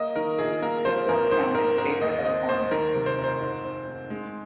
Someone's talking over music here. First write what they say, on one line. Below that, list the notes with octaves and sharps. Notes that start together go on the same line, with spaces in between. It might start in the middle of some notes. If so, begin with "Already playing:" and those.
The Court found in favour of Armory.
Already playing: A#3 D#5
D#3 A#4
A#1 G#4
A#3 A#4
F3 C5
G#1 A#4
G#2 C5
C4 A#4
G#2 A#4
D#2 D#5
C4 D#5
D#2 C5
D#3 A#4
C3
C5
F1
C5
G#2
C4
G#2
G#3